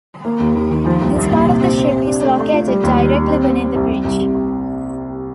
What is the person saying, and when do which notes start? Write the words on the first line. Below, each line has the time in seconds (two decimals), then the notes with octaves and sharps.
This part of the ship is located directly beneath the bridge.
0.25 A#3
0.40 D#2
0.55 D#2
0.71 D#3
0.86 F3
1.01 C2
1.16 C2
1.31 A#2
1.47 C3
1.61 C4
1.78 C4
1.92 C3
2.07 D4
2.23 A3
2.38 A3
2.53 F4
2.68 G3
2.83 D#2
2.98 D#3
3.15 G3
3.29 C4
3.44 C4
3.60 C4
3.75 C2
3.90 C2
4.05 C2
4.21 C3